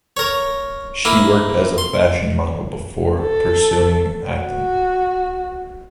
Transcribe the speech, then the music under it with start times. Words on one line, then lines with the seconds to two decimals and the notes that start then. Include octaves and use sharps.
She worked as a fashion model before pursuing acting.
0.17 A#4 C#5
1.05 A#3 E4
1.78 C6
3.22 A4
4.31 F#4